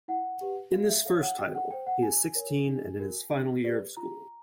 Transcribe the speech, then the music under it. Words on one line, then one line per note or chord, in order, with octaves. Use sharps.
In this first title he is sixteen and in his final year of school.
E4 F#5
G4 B4
F#4 F5
E5
A4 C#5 F5
F#5
F#4 G5
F#5
A4 C5 G5
F#5
F#4 G#5
A#4 C#5
D4
F#4 A#4
D4
G4 B4 D5
F4 A#5